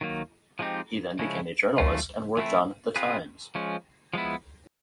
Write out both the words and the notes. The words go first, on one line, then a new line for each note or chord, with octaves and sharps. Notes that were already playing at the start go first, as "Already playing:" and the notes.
He then became a journalist, and worked on "The Times".
D#3 F#3 A#3
F3 G#3 C4 D#4 G4
C#3 F3 G#3 C#4 E4
D#3 F#3 A3 C#4 F4
E3 A3 C4 E4
C4 F4 G#4 B4
F3 G#3 C#4
F3 G#3 B3 E4